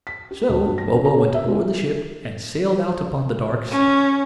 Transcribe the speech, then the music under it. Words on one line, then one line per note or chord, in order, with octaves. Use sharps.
So Bobo went aboard the ship, and sailed out upon the dark sea.
B6
G4
D2
G2
A#6
D4
A#5
C#5
E5
G#3
C#4